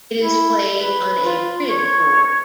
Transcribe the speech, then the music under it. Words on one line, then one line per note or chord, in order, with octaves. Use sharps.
It is played on a "grid board".
E4
B4
F4
C#5